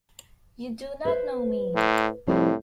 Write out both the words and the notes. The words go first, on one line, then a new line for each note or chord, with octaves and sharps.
You do not know me?
B4 C5
A2
C2 A2 F3